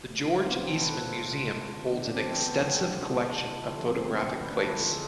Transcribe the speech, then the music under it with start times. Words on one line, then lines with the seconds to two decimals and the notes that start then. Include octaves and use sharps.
The George Eastman Museum holds an extensive collection of photographic plates.
0.09 A3
0.25 D3 F4
0.39 A3 B3
0.51 B2 C4
0.61 D4
0.70 A3 E4
0.81 B4
0.86 B2 A4
1.00 G#3 F4
1.16 C3
1.31 G#3
1.47 C3
1.63 G#3
1.77 D3
1.93 E3 D4
2.04 D4
2.09 A3
2.14 C4
2.23 F3 B3
2.39 G#3 B3
2.54 G#3 C4
2.70 B2
2.85 G#3 D4
3.00 B2 D4
3.16 G#3
3.31 C3
3.46 G#3 E4
3.57 F4
3.63 D3
3.77 F3 A4
3.88 C4
3.93 A3
3.99 B3
4.08 G#3 C4
4.23 D3 D4
4.39 E3 B4
4.49 D4
4.55 A3 E4
4.70 G#3 F4
4.80 A4
4.85 D3
4.91 G#4